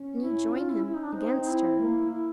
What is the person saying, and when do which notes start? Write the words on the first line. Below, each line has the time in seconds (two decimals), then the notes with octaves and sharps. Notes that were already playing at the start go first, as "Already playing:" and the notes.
And you join him against her.
Already playing: C#4
0.21 E4
0.53 F4
0.69 E4
0.84 E4
0.95 D#4
1.04 D4
1.14 C4 D#4
1.41 D#4
1.48 E4
1.79 A#3
2.10 E4